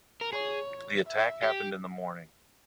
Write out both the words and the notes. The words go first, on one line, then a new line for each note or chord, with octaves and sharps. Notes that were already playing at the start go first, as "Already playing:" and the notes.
The attack happened in the morning.
A#4
G#4 C#5
E5
G4